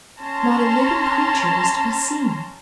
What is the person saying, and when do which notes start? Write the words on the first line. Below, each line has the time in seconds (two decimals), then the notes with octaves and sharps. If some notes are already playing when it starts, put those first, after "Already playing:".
Not a living creature was to be seen.
0.21 C#4 A5 A#5 C6